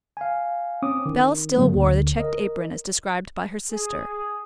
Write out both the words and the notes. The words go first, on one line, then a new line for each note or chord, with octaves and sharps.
Bell still wore the checked apron as described by her sister.
F5 G#5
C4 C#4 D6 D#6
D#3
G#2 D3 D#3 F#3 G3 A#3
D2 D3
A#4 D#5
G#4